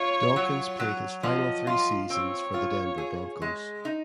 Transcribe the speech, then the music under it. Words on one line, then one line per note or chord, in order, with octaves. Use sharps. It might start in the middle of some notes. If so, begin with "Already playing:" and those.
Dawkins played his final three seasons for the Denver Broncos.
Already playing: F4 C#5
F#3
F#3
F3 D#5
F4
C4 C#5
F4
G#4
G#3
D#4